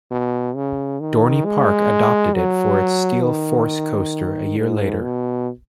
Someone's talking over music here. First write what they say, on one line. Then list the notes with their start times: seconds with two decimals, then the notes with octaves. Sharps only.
Dorney Park adopted it for its Steel Force coaster a year later.
0.11 B2
0.56 C#3
1.00 D#3
1.45 G#3
2.34 F#3
3.25 D#3
4.58 G#2
5.03 B2